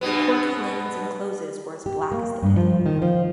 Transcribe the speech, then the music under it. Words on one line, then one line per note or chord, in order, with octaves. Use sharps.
The quirky lanes and closes were as black as the pit.
G2 B2 B3
G4
A#3
G2
F3
D#3
F3